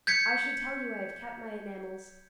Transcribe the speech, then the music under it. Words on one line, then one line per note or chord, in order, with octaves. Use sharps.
I should tell you I have kept my enamels.
G6 G#6 B6 C#7